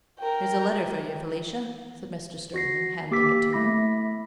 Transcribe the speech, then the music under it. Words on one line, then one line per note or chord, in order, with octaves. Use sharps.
"Here's a letter for you, Felicia," said Mr. Sterling, handing it to her.
A#4 G5
F#4 A#6 C7
A#3 G4 D6 E6 B6
A3 E4 B5 A#6